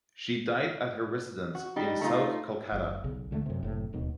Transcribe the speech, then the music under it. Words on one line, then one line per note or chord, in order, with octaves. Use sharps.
She died at her residence in south Kolkata.
F#4
G3 D#4
A3 D#4 F4
F#1
B1 C#3
C#2 D3 G3 A3
F#2 C3
F#1 A2 C3
D1 D#2 B2